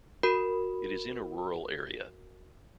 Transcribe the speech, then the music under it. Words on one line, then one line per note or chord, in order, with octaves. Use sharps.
It is in a rural area.
F#4 A#4 B5